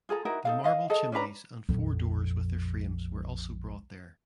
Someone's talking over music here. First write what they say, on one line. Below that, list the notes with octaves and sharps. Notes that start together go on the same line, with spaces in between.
The marble chimneys and four doors with their frames were also brought there.
F4 G#4 A4 A#5
D#4 E4 F#4 A#4
D#4 A4 F5
D#5 F5
G#4 A4 D#5
C#4 D4 B4 A#5
A#1 F2